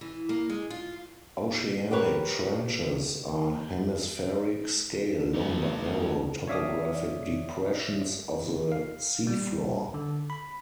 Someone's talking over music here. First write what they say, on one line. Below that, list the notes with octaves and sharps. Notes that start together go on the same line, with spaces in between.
Oceanic trenches are hemispheric-scale long but narrow topographic depressions of the sea floor.
E3
A#3
G#3
F4
F#4 G4 A#4 B4 C#5
A3 B3 D#4
C#5 D5 E5 F5 D6 D#6
F5
G3
D3
B5